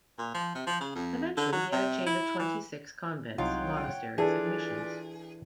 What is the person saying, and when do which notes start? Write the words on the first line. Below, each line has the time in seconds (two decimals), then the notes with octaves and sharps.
Eventually he had a chain of twenty-six convents, monasteries and missions.
0.18 A#2
0.34 F3
0.55 C3
0.67 F3
0.80 C#3
0.95 F2
1.37 D3
1.52 F#3
1.72 C3
2.06 E4
2.39 E3
3.38 C2 F#3 D#4 F4 C#5 F#5 G5
4.18 E3 D4 F4 G#4 A4 B4 D5